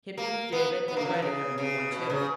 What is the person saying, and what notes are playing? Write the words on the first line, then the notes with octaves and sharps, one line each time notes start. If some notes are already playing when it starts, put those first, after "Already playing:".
Hippy, David and Reddy have a new one, too.
A#3
B3
B3
A#3
F#3
E3
C#3
C#3
B2
C#3